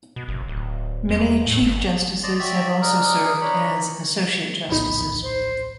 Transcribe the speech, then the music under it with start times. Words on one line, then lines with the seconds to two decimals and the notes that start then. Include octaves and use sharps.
Many Chief Justices have also served as associate justices.
0.16 B2
0.28 F#1
0.48 D1
1.09 E2
1.46 A2
1.61 G1
2.23 D5 D#5 A5 C6
2.39 F#4 G4 D5 E5
2.81 D4 D#4 G#4 A#4
3.41 D4 D#4 C#5 B5
4.69 D1 A#1 E2 D#4 B5
5.23 C5